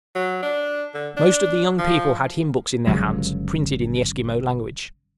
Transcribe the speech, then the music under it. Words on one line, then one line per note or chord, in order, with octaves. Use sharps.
Most of the young people had hymn-books in their hands, printed in the Esquimaux language.
F#3
D4
D3
D4
F3
G1 C#3 F#3 G#3